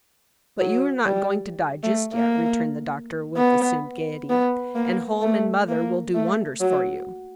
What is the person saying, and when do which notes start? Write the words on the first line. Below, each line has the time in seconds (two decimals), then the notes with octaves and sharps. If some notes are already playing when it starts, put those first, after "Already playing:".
"But you are not going to die just yet," returned the doctor, with assumed gayety; "and home and mother will do wonders for you."
0.59 F#3
1.06 G3
1.83 A3
2.14 A#3
3.37 B3
4.30 B3
4.75 A#3
5.22 A3
5.69 A#3
6.15 A3
6.60 F#3